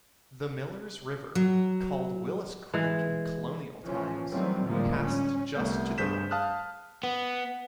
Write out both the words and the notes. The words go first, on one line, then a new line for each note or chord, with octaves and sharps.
The Miller's River, called Willis Creek in colonial times, passed just to the north.
F#3
E3 G#3
E3 F3 C#4
D#3 E3 F#3 G3 A3 C4
A2 D3 F3 G3 G#3 A#3
C#4
C2 A3 B3 G6
G2 G#4 C5 G6 B6 E7
F5 A5 D#6 F6 F#6
B3